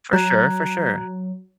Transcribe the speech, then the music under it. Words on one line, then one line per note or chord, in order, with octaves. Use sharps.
For sure, for sure.
F#3 A#5 F#6 G#6